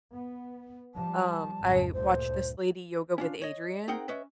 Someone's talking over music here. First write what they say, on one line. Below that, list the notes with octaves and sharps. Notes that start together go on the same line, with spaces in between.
um, I watch this lady: Yoga With Adriene,
B3
F3 G3 A5
G#1 F2 C#3
D2 G2 A#2 C5
C#4 D4 F4
C#5 D#5
C4 D#4 G#4 A#4 F#5 G5
C#4 B4 D#5 E5